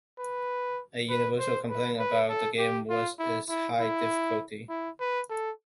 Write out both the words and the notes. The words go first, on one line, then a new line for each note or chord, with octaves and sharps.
A universal complaint about the game was its high difficulty.
B4
B4
C5
B4
B4
A4
G4
F4
E4
E4
E4
E4
B4
A4